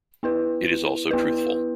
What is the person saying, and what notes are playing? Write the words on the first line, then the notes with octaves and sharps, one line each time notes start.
It is also truthful.
B3 E4 B4
B3 E4 B4